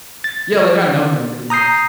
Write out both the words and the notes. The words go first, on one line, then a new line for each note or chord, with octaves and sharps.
Yeah like, I know him pretty much.
A6
A#5 D#6 G6 C7